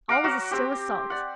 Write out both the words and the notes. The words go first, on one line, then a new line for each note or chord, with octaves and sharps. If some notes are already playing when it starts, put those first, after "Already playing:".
All was as still as salt.
F5 F#5 A#5 D6
F#3 F#4
C4 G4
D5 F#5